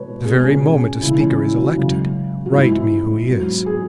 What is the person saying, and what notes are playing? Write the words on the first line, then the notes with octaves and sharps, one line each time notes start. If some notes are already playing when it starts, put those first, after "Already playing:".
The very moment a speaker is elected, write me who he is.
Already playing: B2 G#3 B4 C#5
B2 G#3 G#4
C#4
C#4
E2 C#3 G#3 E4
C#4
E4
F#4
F#2 C#3 G#3
F#4
G#2 G#3 E4
E4
G#2 F#3
G#4